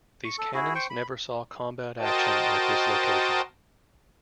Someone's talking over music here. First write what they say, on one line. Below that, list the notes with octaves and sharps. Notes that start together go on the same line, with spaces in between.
These cannons never saw combat action at this location.
C#6
A4
E4 F#4 G#4
C5 G5 C#6
B5
F#4 A#4 C5 D#5 G5 A5